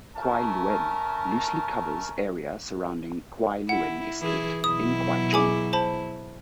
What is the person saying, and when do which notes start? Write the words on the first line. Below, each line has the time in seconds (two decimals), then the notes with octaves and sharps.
Kwai Luen loosely covers area surrounding Kwai Luen Estate in Kwai Chung.
0.16 A3 C#4 A#4 A5
3.69 E4 F#5
4.21 E3 E4 G#4
4.64 B2 F#3 E4 D#6
5.33 G#4 G#5 D6
5.73 C5 A5 B5